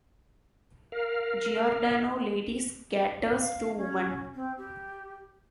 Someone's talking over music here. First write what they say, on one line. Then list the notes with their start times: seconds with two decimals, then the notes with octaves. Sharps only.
Giordano Ladies caters to women.
0.92 A#4 F5
3.40 F5
3.77 C#4
4.35 C4
4.58 G4